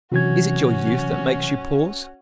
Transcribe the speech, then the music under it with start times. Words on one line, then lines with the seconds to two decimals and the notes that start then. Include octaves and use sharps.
Is it your youth that makes you pause?
0.12 C3 E3 F#3 C#4 F#4 G#6